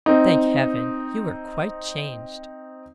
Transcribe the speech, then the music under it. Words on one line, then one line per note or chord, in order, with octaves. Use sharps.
'Thank heaven, you are quite changed.'
C4 D#4